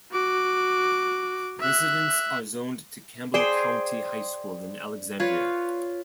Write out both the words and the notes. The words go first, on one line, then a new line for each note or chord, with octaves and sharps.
Residents are zoned to Campbell County High School in Alexandria.
F#4 D6
E5 F#6
G#4 C5 D5 G5
F4 B4 C#5